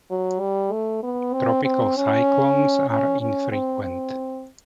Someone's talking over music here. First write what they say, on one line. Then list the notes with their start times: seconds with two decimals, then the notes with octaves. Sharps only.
Tropical cyclones are infrequent.
0.10 F#3
0.40 G3
0.72 A3
1.03 B3
1.34 C4
1.65 C4
1.96 C#4
2.90 C#4
3.21 C#4
3.52 C4
3.83 C4